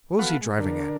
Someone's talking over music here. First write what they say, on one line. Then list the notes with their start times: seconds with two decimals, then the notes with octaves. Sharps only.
What was he driving at?
0.19 B3 F#4 A4 F5 F#5 B5
0.41 G#3
0.59 D3 D4 A#4